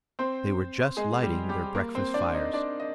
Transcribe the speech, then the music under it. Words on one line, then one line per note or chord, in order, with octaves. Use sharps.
They were just lighting their breakfast fires.
C4 C5
G#3 G#4
G3 G4
G3 G4
A#3 A#4
C4 C5
D4 D5
D#4 D#5
D4 D5
D#5